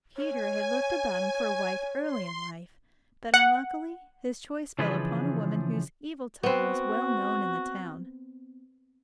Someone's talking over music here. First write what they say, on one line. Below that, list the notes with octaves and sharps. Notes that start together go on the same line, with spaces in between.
Peter had looked about him for a wife early in life, but unluckily his choice fell upon a woman whose evil tongue was well known in the town.
C#5 G#5
C6
F#5
C#3 E3 F3 D4 G#4 B4
B3 C4 F#4